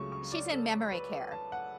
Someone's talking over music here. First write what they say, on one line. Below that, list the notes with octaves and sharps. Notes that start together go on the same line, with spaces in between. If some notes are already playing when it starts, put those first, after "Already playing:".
She's in memory care.
Already playing: C#2 C#3 F#3 A3 C#6
C#6
D5
A4
B4
A5
F#5